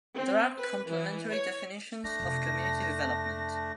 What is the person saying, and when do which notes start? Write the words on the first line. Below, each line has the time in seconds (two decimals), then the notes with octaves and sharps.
There are complementary definitions of community development.
0.15 C4
0.58 B4
0.88 E3
1.29 C#5
2.04 A3 C4 D4 A#6
2.20 F2 C3